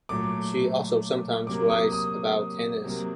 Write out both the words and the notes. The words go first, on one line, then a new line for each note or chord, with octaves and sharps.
She also sometimes writes about tennis.
A#2 F#3 A3 D6
C3 F#3 A#3 D6
D#6
D#6
C3 F#3 A#3